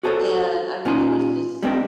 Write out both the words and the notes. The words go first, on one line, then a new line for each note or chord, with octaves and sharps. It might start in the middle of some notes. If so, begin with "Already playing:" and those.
and I mean, it was just
F#4 G#4 A4 C5 C#5
A#2 C#4 D#4 F4 G#5 C6
G3 G#3 C4 D4 A#4